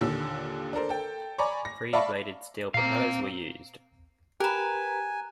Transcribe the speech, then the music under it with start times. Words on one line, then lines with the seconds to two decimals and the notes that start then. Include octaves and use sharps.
Three-bladed steel propellers were used.
0.01 D#2 A#2 D3 E6
0.73 D4 A4 A#4 C5
0.89 A4 G5
1.38 D5 G#5 A#5 B5 C#6 D6
1.65 A#6
1.93 D5 E5 F5 A5 B5 C#6
2.74 A#2 C4 F5 A#5 C7
4.40 G4 A#4 B4 G#5 A#5 F#6